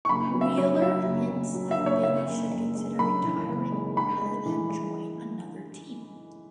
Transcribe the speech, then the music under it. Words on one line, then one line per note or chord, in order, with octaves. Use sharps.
Wheeler hints that Billy should consider retiring rather than join another team.
C#6
F#1 B5
F#3
E5
F#3 C#5
F#3 E5
F#1
F#1
F#3
E5
F#1
C#5
F#1 E5
F#1
F#1
G#3
F#2 B5
E3
F#1
G#3
G#3 B5
G#3
E3
G#3